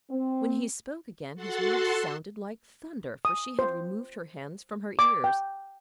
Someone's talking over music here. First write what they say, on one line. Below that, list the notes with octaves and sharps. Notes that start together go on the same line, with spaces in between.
When he spoke again, his words sounded like thunder, for she had removed her hands from her ears.
C4
F#4 A4 F#5 A5 C6
D#6
C5
D6
G5